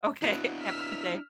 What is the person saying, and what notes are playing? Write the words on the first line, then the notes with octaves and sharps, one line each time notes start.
Okay. Have a good day.
E3 B3 D4 E4 F#4
E6 F6 B6